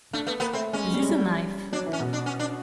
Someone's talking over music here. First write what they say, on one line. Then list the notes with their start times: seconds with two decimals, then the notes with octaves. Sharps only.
This is a knife!
0.13 A3 D4
0.27 A3 B3
0.40 A#3 B3
0.53 A3 C4
0.73 G#3 C#4
0.94 G3
1.01 G#3
1.09 G3
1.72 F#3 D4
1.87 E3
1.93 C#4
2.00 B2
2.13 D4
2.26 C#4
2.39 D4